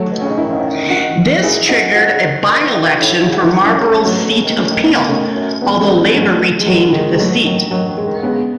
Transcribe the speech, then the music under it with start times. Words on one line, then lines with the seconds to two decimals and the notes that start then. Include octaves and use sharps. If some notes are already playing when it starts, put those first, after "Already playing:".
This triggered a by-election for Marlborough's seat of Peel, although Labor retained the seat.
Already playing: F#3 A3
0.11 B2
0.21 C#4
0.25 C#3
0.30 D#4
0.38 D#3 C#4 E4
0.90 D#4 F#4
1.43 F#2 E4 G#4
1.69 F#2 D#4 F#4
1.95 G#2 D#4 F#4
2.09 C#3
2.22 D#3
2.47 D#3
2.60 E3
2.74 D#3
2.87 B2
3.00 A2 E4
3.11 B2 F#4
3.22 C#3 E4
3.33 F#4
3.39 D#3 E4
3.52 E3 F#4
3.65 D#3 C#4 E4
3.79 C#3
3.91 C#3
4.04 B2 F#3 A3
4.17 B2
4.31 C#3
4.44 D#3
4.57 E3 A3 C#4
4.70 D#3
4.83 E3 B3 D#4
4.96 D#3
5.09 D#3 A3 C#4
5.35 F#2
5.61 E2 B3
5.72 C#4
5.79 F#2 G#3 B3
5.96 G#2
6.14 G#2 F#3 A3
6.28 A2
6.40 B2
6.60 G#3
6.66 D#3 F#3
6.92 D#3 G#3
7.12 G#3
7.18 B2 F#3 A3
7.45 D#3 F#3
7.71 D#3 F#3
7.89 D#3
7.98 G#3
8.07 D#3
8.23 C#3 G#3 B3